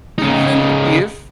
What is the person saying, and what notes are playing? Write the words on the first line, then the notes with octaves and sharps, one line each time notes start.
even if
C#3 D#4